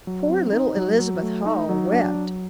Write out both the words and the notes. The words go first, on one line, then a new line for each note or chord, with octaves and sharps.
Poor little Elizabeth Hull wept.
F#3
C4
D#4
F#3
F#3
A3
D#4
F#3
D4
F#3